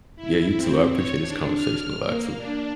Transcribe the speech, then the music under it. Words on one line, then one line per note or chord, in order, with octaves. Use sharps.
Yeah, you too. I appreciate this conversation a lot, too.
E4
C4
C#5
D4
F6
A#3
D4